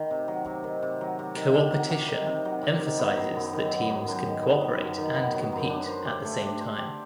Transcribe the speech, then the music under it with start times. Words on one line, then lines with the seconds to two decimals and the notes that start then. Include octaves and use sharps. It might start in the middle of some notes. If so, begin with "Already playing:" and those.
Coopertition emphasizes that teams can cooperate and compete at the same time.
Already playing: D#3
0.11 C3
0.28 F#3
0.46 C3
0.64 D#3
0.82 C3
1.01 F#3
1.19 C3
1.36 D#3
1.54 C3
1.72 F#3
1.90 C3
2.08 D#3
2.26 C3
2.45 F#3
2.63 C3
2.81 D#3
2.99 B3
3.17 F#3
3.35 F#2
3.53 D#3
3.71 B3
3.90 F#3
4.08 F#2
4.25 D#3
4.43 B3
4.61 F#3
4.79 F#2
4.98 D#3
5.16 B3
5.34 F#3
5.52 F#2
5.70 D4
5.88 C5
6.05 G4
6.25 A3
6.42 D4
6.60 C5
6.78 G4